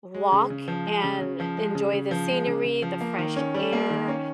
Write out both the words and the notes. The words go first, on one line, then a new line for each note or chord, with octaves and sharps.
walk and enjoy the scenery, the fresh air,
G#3
C#3
C#3
F3
G#3
C#3
C#3
F3
G#3
C#3
C#3
F3
G#3
C#3
C#3
F3
A#3
D#3
C#4
G3
A#3
D#3
C#4